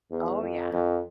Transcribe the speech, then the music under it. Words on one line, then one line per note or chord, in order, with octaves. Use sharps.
Oh, yeah.
E2
F2
F2